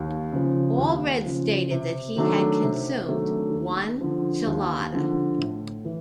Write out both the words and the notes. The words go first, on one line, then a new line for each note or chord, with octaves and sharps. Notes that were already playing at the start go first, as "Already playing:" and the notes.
Allred stated that he had consumed one chelada.
Already playing: D#2
C#3 F3
D#2
C#3 F3
C3
D#3 F#3 A3 D4
C3
D#3 F#3 A3 D4
D#2
D3 F3
D#2
D3 F3
A2
E3